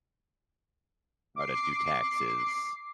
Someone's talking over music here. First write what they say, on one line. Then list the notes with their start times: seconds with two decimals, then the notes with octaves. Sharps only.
How to do taxes.
1.36 D6 C7